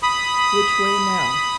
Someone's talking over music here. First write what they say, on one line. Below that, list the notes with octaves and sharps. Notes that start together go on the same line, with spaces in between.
"Which way now?"
B5 D#6